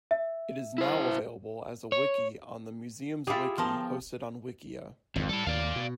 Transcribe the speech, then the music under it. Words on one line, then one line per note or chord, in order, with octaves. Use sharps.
It is now available as a wiki on the "MuseumsWiki", hosted on Wikia.
E5
E4 C5
C#5
E4 F4 G4 G#4
F3 B3 A#4 G5 A5 C6
G#1 F2 C3
G3 E4 A4
D#2 D5 F5
B2